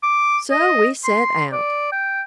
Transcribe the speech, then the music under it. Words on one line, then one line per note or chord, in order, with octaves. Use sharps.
So we set out.
D6
D#5
C6
D5
G5